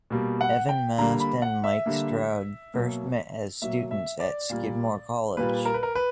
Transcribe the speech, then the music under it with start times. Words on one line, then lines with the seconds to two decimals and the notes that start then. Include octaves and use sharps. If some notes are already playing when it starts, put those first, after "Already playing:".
Evan Mast and Mike Stroud first met as students at Skidmore College.
0.10 B2 G3 A#3
0.41 F#5
0.69 G5
0.98 D3 G3 A#3 A#5
1.20 B5
1.42 F#5
1.64 E5
1.86 D3 G3 A#3
2.74 B2 F#3 A#3
3.62 B2 F#3 A#3 E5
3.91 E5
4.20 D5
4.50 A#2 G3 A#3
5.37 A#2 G3 A#3 B4
5.65 A#4
5.74 B4
5.83 A#4
5.95 B4